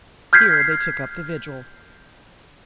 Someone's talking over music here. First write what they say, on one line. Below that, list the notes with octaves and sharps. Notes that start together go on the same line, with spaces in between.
Here they took up the vigil.
F6 G6 G#6 B6 C7